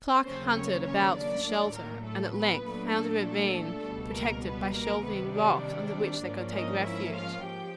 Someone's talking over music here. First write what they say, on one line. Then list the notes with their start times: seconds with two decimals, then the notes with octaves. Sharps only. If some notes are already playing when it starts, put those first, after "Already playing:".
Clark hunted about for shelter, and at length found a ravine protected by shelving rocks under which they could take refuge.
0.24 D#2 C#3 F#3 A#3 C4 C#4 C5
0.55 C#4 C#5
0.84 C#4 C#5
1.14 D4 D5
1.44 A2 F#3 A#3
1.74 A#3 A#4
2.04 A3 A4
2.33 B3 B4
2.63 A#2 F#3 A3 D4
2.93 A3 A4
3.24 A3 A4
3.84 C#2 B2 G3
4.13 A#3 A#4
4.44 B3 B4
4.74 A#3 A#4
5.03 C3 D#3 G3 B3 B4
5.33 D4 D5
6.23 G#2 F3 A#3 C#4
6.54 D#4 D#5
6.83 E4 E5
7.13 F4 F5
7.43 G#2 F3 G4 G5